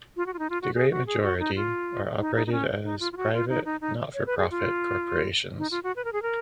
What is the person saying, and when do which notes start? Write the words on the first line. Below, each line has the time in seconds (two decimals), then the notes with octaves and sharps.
The great majority are operated as private not-for-profit corporations.
0.16 F4
0.26 F#4
0.34 F4
0.39 D#4
0.50 F4
0.62 F#4
0.75 G#4
0.91 F#4
1.07 G#4
1.23 F#4
1.39 D#4
1.56 F4
2.20 D#4
2.36 D#4
2.47 D#4
2.52 C#4
2.84 D#4
3.00 F4
3.12 F4
3.17 F#4
3.33 F4
3.49 D#4
3.65 D#4
3.81 D#4
4.14 C#5
4.26 B4
4.38 G#4
4.51 F4
5.58 D#4
5.71 F4
5.83 F#4
5.96 B4
6.04 A#4
6.13 G#4
6.22 A#4